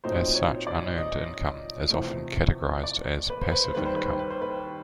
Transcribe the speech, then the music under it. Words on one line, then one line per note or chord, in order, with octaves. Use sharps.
As such, unearned income is often categorized as "passive income".
A#2 F#3 A3 C4 D#4 C5
C#5
D5
D#5
E2 C3 F3 A3
D5
B4
C5
B4
C5
D#2 D#3 G3 B4
C5
B4
C5
B4
C5
B4